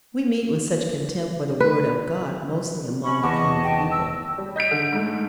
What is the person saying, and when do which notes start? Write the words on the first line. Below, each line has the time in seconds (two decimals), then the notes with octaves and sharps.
We meet with such contempt for the Word of God mostly among the common people.
1.60 B4
3.03 C#4 B5 C#6
3.23 E2 D#5 F#5 A5 C#6 D6
3.64 G5
3.91 E6
4.38 G3
4.56 D#5 G6 B6 D7
4.71 D3
4.92 G#2 A3